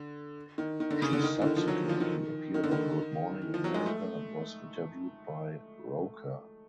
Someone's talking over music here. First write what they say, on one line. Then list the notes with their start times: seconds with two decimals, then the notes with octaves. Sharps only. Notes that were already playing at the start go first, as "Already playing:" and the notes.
She subsequently appeared on Good Morning America and was interviewed by Roker.
Already playing: D3
0.58 D#3
0.80 D#3
0.91 D3
1.02 C#3
1.13 D3
1.23 D#3
1.35 E3
1.42 D3
1.45 D#3
1.57 F3
1.68 F#3
1.89 F3
2.00 D#3
2.54 D#3
2.64 D3
2.71 D#3
3.42 E3
3.54 F3
3.64 F#3
3.74 G#3
3.86 A3